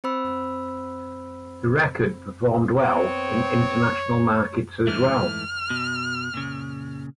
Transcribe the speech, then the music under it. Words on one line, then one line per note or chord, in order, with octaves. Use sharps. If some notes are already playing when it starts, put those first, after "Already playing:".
The record performed well in international markets as well.
C4 C5 B5 E6
B3 C4 C#5
G#2 E3 A3 F6
B2
A#2 C#3